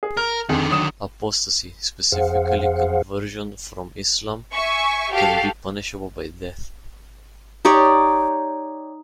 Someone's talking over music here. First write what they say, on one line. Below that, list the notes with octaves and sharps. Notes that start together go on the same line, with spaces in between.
Apostasy, specifically conversion from Islam, can be punishable by death.
G#4
A#4 F6
F2 D3 D#3 G#4
F#3 D#6 E7
F2 G#4 C5 F5 F#5
E5 G#5 C#6
F#4 G4 A4 F5
D#4 G4 C#5 D5